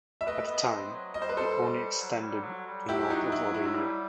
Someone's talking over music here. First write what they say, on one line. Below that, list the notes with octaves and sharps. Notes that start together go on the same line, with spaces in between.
At the time, it only extended to north of Orillia.
G3 E5
A3 B4 D#5
B3
C4
F#3
G3 D#5
C5
B4
A4 C5
G3
F#3
G3
F#3
G3
F#3 E4 G4
D#4 F#4
E4
E4
A3
G3